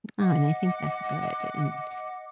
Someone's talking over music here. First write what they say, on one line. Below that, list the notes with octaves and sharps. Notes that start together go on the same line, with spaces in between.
Oh, and I think that's good, and,
D#5 F#5 D6